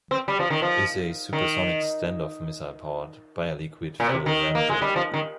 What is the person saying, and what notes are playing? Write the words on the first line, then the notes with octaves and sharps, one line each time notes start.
It is a supersonic standoff missile powered by a liquid fuel ramjet.
C4
G3
F3
D#3
F3
D#3
A#2
C3
D#3
A#3
G#3
G3
F3
D#3